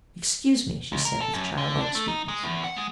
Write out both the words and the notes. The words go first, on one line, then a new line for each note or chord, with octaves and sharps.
"Excuse me," she said, with childlike sweetness.
C#2
A#4
A4
F#2
D3
D4
A3
D#4
G#3
E2
F#5
G#3